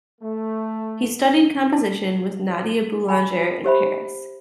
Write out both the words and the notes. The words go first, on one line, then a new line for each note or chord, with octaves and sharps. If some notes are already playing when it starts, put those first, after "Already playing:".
He studied composition with Nadia Boulanger in Paris.
A3
A5
G#5 B5
G4 C5 E5 B5